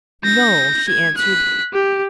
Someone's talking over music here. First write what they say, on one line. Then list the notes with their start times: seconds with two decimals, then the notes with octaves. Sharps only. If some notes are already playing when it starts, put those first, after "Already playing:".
"No," she answered.
0.24 G6 A#6
0.87 G#6
1.17 F#6 B6
1.73 G4